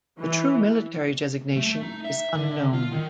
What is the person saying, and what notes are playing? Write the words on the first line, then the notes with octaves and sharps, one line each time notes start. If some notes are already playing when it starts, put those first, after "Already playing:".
The true military designation is unknown.
E3
A3
D#4
E5
D3
F4
D#3